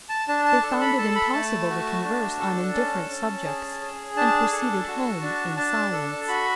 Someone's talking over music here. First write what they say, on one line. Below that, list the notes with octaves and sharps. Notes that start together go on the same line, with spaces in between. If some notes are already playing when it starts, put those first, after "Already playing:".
They found it impossible to converse on indifferent subjects, and proceeded home in silence.
A5
D4 A5
A5
A4
B5
A4 A5
B5
A3 A5
F#4
D4
A4
C#4
C#4
G#4
G#4
D4 A5
A4
F#4
D4
D4 A5
A4
F#4 B5